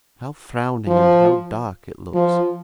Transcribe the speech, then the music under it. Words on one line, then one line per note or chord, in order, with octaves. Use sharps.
How frowning and how dark it looks!'
F3
F3